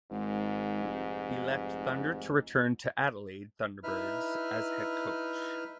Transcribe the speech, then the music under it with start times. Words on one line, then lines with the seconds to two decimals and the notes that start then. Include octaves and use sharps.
He left Thunder to return to Adelaide Thunderbirds as head coach.
0.11 G#1 G#2
0.83 F1
3.84 D#4 E4 B4 E5 F6